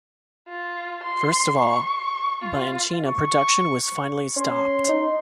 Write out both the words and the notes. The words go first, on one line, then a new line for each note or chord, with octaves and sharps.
First of all, Bianchina production was finally stopped.
F4
C6
C#6
F4
C#6
C#4 C6
D#4